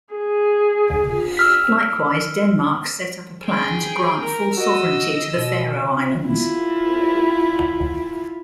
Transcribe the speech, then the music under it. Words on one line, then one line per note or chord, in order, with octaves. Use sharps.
Likewise, Denmark set up a plan to grant full sovereignty to the Faroe Islands.
G#4
E6 F6 B6
G#4 G5
A#4
F#4 D#5 E6
B2
E4 F4